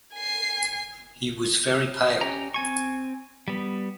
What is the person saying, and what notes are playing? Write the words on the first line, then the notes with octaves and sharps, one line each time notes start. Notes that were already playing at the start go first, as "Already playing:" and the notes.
He was very pale.
G#5 C7
C#4 G4 A#5
C4 G#5 C#6
G3 B3